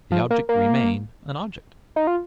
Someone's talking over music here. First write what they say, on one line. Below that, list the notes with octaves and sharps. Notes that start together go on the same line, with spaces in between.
The object remained an object.
F3
A#3
A#3
D#4
F4